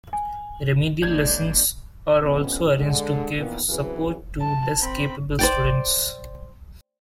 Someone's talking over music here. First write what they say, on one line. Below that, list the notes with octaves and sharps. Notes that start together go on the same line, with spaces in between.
Remedial lessons are also arranged to give support to less capable students.
G#5
G1 G#3 A#3 D4 C#5 D5 G6 G#6
F2 C3 B3 C#4
D3 G#3
A#2 D#3 E3 A#3 B3
C#3 E3 F#3 C4 G#4 B4
A5
C4 B5
C5 D5 G5